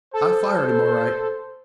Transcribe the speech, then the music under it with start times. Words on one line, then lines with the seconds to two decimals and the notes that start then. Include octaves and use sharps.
I fired him, all right.
0.13 A4 C5